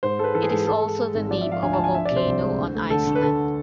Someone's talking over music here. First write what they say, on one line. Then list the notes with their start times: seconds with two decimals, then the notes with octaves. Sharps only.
It is also the name of a volcano on Iceland.
0.03 G#2 C5
0.19 G#3 A4
0.24 B4
0.35 E3 A4
0.43 G#4
0.50 G#2 A4
0.59 G#4
0.66 G#3 A4
0.82 G#3
0.99 G#3
1.15 G#1
1.30 F3 D5
1.41 E5
1.47 F3 F5
1.63 D2 G#5
1.73 A5
1.79 F3
1.84 G#5
1.95 D4 E5
2.05 D5
2.11 C3
2.16 C5
2.27 C2
2.43 G#3
2.58 D2
2.75 A3
2.90 D3 A4
3.07 D2
3.15 B4
3.23 D3 A4